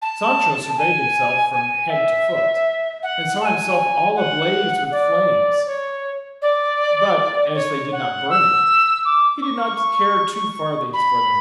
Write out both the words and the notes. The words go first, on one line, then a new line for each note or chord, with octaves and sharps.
Sancho surveyed himself from head to foot and saw himself all ablaze with flames; but as they did not burn him, he did not care two farthings for them.
A5
G#5
G#5
E5
F#5
A5
G#5
F#5
D5
C#5
D5
C#5
F#5
E6
D6
C#6
B5